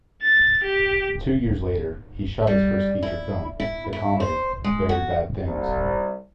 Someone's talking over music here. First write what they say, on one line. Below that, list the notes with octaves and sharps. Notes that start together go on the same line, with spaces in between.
Two years later he shot his first feature film, the comedy Very Bad Things.
A6
G4
G3
E4
E4
E4
C5
G#3
F#4
C2